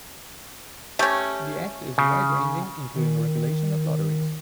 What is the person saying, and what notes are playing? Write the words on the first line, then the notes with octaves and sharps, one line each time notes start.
The act is wide-ranging including regulation of lotteries.
A3 C#4 G4
C#3
D#3